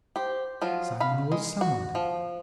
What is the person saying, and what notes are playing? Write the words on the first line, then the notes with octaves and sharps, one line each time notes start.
Simon was summoned.
G4 C5
F3 F#3 F4
F5 B5
G#3
F#4
F3